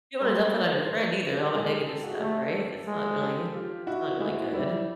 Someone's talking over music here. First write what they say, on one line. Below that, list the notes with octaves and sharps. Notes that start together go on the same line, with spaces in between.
You don't wanna dump that on your friend either, all that negative stuff, right? That's not really that's not really good.
G3 A#4 C5
C5
B4 C#5
A4 B4
G4 A4
G#3 G#4 A#4
G4 A4
G4 A4
F#4 G#4
A3 G4 A4
G#3
G4 A4
F4 G4
E4 F#4
G#3 E4 F#4
G3 E4